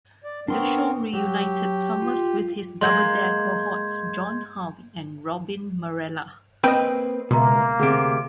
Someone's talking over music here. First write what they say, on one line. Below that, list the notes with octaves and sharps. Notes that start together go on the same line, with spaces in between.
The show reunited Summers with his "Double Dare" cohorts John Harvey and Robin Marrella.
D5
B3 C4 D4 A#4 C6 C#6
F#3 G4
F4
G#3 A#3 C6 G6 G#6
A#3 C4 B4 D#5 G5
C#2 B2 A#3 E5 A#5 C6
D2 C3 G#4 D7